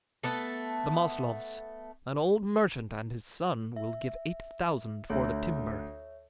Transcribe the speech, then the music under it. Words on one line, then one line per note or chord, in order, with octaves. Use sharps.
The Maslovs, an old merchant and his son, will give eight thousand for the timber.
A3 B3 A4
E5
D2 C#5 E5